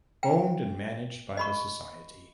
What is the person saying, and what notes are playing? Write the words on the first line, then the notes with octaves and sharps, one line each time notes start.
Owned and managed by the society.
G5
D#5 B5 C#6